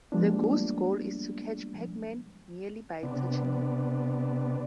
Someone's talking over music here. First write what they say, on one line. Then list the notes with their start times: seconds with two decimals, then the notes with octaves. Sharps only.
The Ghosts' goal is to catch Pac-Man, merely by touching him.
0.12 F3 G3 G#3 A#3 B3 D4
3.03 C3 B3 D4